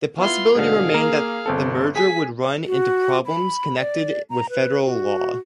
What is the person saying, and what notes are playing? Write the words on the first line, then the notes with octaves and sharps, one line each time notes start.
The possibility remained that the merger would run into problems connected with federal law.
B3 E4 F4 C6
G#2 B2 D3 G#4 F5
A#3 A#4
G1 C4 A4
G#4 G#5 B6
F#4
B5
D5
A#5
B4
F#4